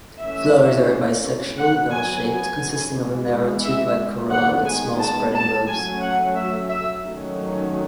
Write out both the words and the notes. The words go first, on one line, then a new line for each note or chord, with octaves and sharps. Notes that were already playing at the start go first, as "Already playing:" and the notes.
Flowers are bisexual, bell-shaped, consisting of a narrow tube-like corolla with small spreading lobes.
E3 A3 C#4 E5
F#3 B3 F#5
G#5
G#5
E3 G#3 B3
E5
D#3 G#3 B3 F#5
G#5
A5
A5
F#3 A3 C#4 G#5
F#5
E5
E5
D#3 F#3 A3 C#4